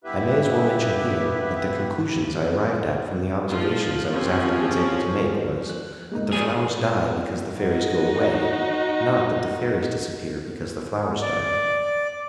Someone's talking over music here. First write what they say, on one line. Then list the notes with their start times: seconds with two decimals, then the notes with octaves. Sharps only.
I may as well mention here, that the conclusion I arrived at from the observations I was afterwards able to make, was, that the flowers die because the fairies go away; not that the fairies disappear because the flowers die.
0.04 G2 B3 E4 G4 B4 E5
3.48 F3 F4
4.12 F3 C4 C#4 G4
5.69 F2 F#6
6.12 G#3 A#3 D#4
6.33 G2 F3 G#4 G6 E7
7.55 D#4 F#4
11.22 D5